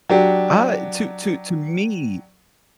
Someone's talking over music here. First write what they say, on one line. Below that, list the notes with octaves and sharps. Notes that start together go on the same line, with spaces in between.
Uh, i to to to me
F#3 D4 G4